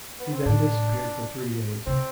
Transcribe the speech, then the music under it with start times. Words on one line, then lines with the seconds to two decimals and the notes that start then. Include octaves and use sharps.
He then disappeared for three days.
0.20 B3
0.33 C4
0.46 A2 D4
1.86 C3 C4